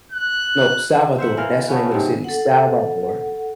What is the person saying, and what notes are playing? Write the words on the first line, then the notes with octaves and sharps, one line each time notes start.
No, Salvador. That's the name of the city, Salvador.
F#6
C5 E5 F#5
E3 A#4 F5
A3 B3 C#4 B4
G#2 C3
A4 F#5